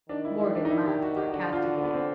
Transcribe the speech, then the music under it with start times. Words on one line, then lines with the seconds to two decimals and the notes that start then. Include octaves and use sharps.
Morgan laughed sarcastically.
0.09 D#3 D4
0.25 E4
0.40 E4
0.55 D4
0.65 D#4
0.71 E4
0.86 G4
1.02 F#4
1.16 G4
1.32 D3 F#4
1.53 F4
1.62 F#4
1.83 B3
1.94 C4